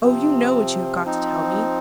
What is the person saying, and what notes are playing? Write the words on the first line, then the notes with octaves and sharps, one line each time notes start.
Oh, you know what you have got to tell me!
C3 F3 C4
F3 C4 D#4